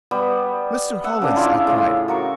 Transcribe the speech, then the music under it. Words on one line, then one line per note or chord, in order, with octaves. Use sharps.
"Mr. Hollins!" I cried.
G3 B3
E5 F#5
C#3 D4
E4 F4 D5 D#5
A2 C#3
F#4 A#4 C#6